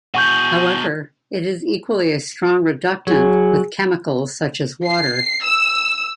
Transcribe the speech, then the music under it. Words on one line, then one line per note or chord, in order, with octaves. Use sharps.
However, it is equally a strong reductant with chemicals such as water.
B2 G#4 F#5 C#6 G6
F#3 G#4 G#5
C7
E6